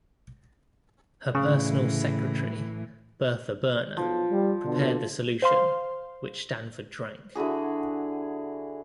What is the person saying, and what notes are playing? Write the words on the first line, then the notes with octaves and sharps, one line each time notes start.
Her personal secretary, Bertha Berner, prepared the solution, which Stanford drank.
A2 C#3 E3
B1 F3
G3
B2 D3
C5 F5 C6
D3 E4 F#4 G#4